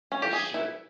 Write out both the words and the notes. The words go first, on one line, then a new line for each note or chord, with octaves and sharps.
They should.
C#4
G4
G#4
E4